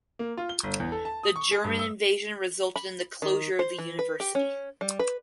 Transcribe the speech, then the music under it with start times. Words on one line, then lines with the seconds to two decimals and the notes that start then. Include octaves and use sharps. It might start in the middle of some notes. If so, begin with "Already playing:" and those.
The German invasion resulted in the closure of the university.
0.19 A#3
0.37 F4
0.49 G7
0.63 G1
0.80 E2
0.92 A4
1.05 A5
1.23 D#6
1.36 C#6
1.51 G#4
1.64 G2
1.79 E6
2.76 B5
3.22 D#3
3.59 C5
3.78 E3
3.99 B4
4.20 G4
4.35 C#4
4.81 G3
4.99 B4